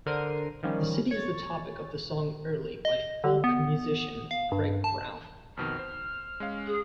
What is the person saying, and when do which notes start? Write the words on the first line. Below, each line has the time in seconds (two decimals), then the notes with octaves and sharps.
The city is the topic of the song "Early", by folk musician Greg Brown.
0.06 D3 A#4 C5 C7 D#7
0.63 D#3 F3 G3 C#4
1.11 C#5 A6
2.85 D#5
3.24 D3
3.44 B3
4.31 F5
4.52 G2
4.84 A5
5.57 F2 B2 D#3 F6
5.79 C5
6.40 G#3 C#4 F5
6.66 G#4